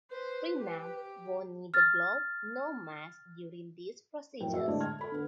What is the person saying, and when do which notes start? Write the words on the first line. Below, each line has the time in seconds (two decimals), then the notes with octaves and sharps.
Freeman wore neither glove nor mask during these procedures.
0.11 B4 C5
0.56 G4
1.74 F6 A6
4.40 F1 F#2 A2 A#4 G5
4.52 F#4 G#4 B4 E5
4.67 A2 D3 G#3 G4 D5 A5
4.80 F6 G#6
4.99 A4 B5
5.12 D3 B3 B4